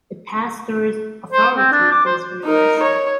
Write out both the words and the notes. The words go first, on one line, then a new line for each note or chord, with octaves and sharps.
The "pastor's" authority is universal.
C5
C4
D4
D6
C5
D#4 A#4
C#5